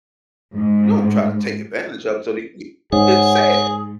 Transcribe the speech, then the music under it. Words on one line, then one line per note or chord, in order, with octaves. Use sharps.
You don't try to take advantage of them so they can get It's sad,
G#2
G#2 G#4 C#5 F#5